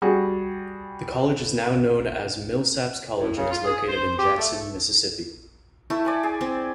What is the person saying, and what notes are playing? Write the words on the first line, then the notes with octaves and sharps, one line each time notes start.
The college is now known as Millsaps College and is located in Jackson, Mississippi.
G3 F#4 G#4
A2
C#3
F4
G#4
C5
G4
A3
A3 E4
D5 G#5 B5
G#4
C4